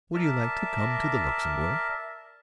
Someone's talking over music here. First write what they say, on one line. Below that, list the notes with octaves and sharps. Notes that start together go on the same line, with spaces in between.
"Would you like to come to the Luxembourg?"
A#4 D5 E5 A5